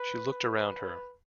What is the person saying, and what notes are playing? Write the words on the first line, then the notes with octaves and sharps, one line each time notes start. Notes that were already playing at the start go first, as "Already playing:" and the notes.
She looked around her.
Already playing: B4
B4